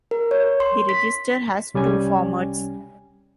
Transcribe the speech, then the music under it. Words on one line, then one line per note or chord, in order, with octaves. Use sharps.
The register has two formats.
A#4
C#5
C6
B6
C2 G3 C#4 G#5